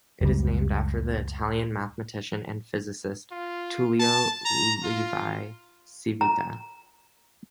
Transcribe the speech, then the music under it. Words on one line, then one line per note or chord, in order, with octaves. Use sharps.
It is named after the Italian mathematician and physicist Tullio Levi-Civita.
F#1 C#2 G3
F4
A5
A#5
F4
A#5